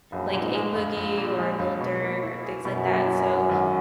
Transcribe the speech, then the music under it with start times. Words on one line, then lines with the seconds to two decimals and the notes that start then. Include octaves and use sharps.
like A-Boogie or Lil Durk or things like that, so
0.12 A#1 F#2
0.34 A#2
0.41 G#2
0.55 G#3
0.75 A#1
0.97 A#1
1.18 A#2
1.39 G#3
1.59 A#1
1.80 B2
2.02 A#3
2.23 E4
2.44 G#4
2.65 F#2 B2
2.86 A#3
3.07 E4
3.28 G#4
3.49 G#1